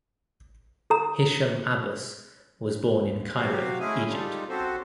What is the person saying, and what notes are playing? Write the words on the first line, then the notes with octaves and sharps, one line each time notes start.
Hisham Abbas was born in Cairo, Egypt.
A4 A#5
D#2
C3 F#3 F#4 G4 F5
G#3 A3 C#4 E4 G#4 G#5
G3 G#3 D#4 F4 G4 A4
C#3 C4 F#4 G4 A4 C5